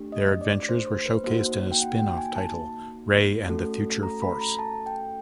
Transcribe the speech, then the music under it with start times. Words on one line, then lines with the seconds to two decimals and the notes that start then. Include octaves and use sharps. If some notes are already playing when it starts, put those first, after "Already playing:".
Their adventures were showcased in a spin-off title, "Rai and the Future Force".
Already playing: A3 D4 G4
0.12 D#5
0.41 D5
0.69 C5
0.87 C5
1.06 B4
1.24 A#3 D#4 F#4 C5
1.72 G5
1.80 F#5
1.99 G5
2.18 G#5
2.36 A5
3.47 A3 C#4 F#4 A4
4.03 A#5
4.22 B5
4.41 A#5
4.59 A5
4.86 G5